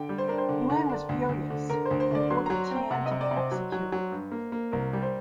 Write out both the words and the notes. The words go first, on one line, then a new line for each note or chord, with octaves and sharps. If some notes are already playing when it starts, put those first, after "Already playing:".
Yuan was furious and ordered Tian to be executed.
Already playing: D3 G5
G3
C5
D4 A#4
C5
D3
D3
D4
D2
D2
D3
D3 A#4
C5
D2
C5
D3 D5
F#3 C6
F#3 A#5
C4
G5
C3 F#5
D#5
C3
D5
C3
C5
F#3
F#3
F#3
G2
A#3
A#3
C2 A#4
G3
C5